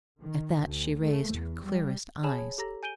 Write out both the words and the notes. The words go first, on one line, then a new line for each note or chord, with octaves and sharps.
At that she raised her clearest eyes.
D#3
D2
A3
E2
G3
G#4 C#5 G#5 A5 B5 E7
C#5
G4 A4 A#5 A#6
G#5 G6 D7 D#7 G7